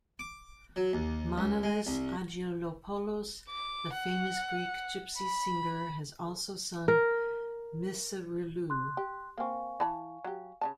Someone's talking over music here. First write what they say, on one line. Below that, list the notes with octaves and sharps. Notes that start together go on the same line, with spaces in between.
Manolis Aggelopoulos the famous Greek Gypsy singer has also sung Misirlou.
D6
F#3
D#2
C#2
G#3
C2
D6
F#5
B5
A#4
C6 F#6
G4
A#3 C4 F5 G#5 C#6
E3 A5 B5
F#3 G4
C#3 D4 A5